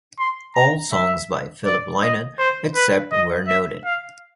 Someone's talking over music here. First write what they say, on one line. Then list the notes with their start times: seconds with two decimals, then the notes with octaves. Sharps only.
All songs by Philip Lynott, except where noted.
0.19 C6
0.55 A#5
0.93 E5
1.66 D5
2.02 D#5
2.38 C5
2.75 B4
3.12 D#5
3.47 E5
3.85 F5